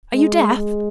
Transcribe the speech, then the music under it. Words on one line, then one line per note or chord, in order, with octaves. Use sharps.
"Are you deaf?"
G#3
G#3